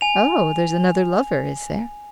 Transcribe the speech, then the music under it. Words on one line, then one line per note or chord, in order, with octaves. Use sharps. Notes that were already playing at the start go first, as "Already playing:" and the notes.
"Oh, there's another lover, is there?"
G#5 F7